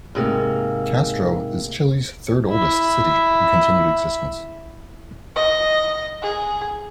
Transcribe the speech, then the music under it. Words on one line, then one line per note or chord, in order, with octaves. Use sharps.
Castro is Chile's third oldest city in continued existence.
G#2 C3 A#3
E4 E5
D#5
G#4